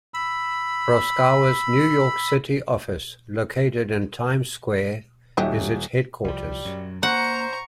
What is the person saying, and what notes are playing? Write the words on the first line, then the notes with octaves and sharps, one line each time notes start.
Proskauer's New York City office, located in Times Square, is its headquarters.
B5 E6
D#1 F#3 G4 D#5 E5
C2 F3 G3
F#2 F#3
A#3 C5 F#5 A#5 C#6